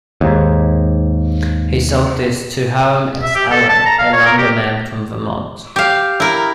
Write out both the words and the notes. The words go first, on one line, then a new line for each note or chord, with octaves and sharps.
He sold this to Hiram S. Allen, a lumberman from Vermont.
D#2 G#2
E5
G4
A4
A5
A#5
F5
C#5
A#4
G4
G4 F5
E4 A#4